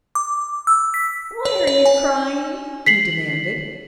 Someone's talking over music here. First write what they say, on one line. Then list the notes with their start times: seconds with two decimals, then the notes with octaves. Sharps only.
"Why are you crying?" he demanded.
0.15 D6
0.67 E6
0.94 B6
1.45 C#5
1.67 C#5
1.86 G#5
2.86 B6 C7 F#7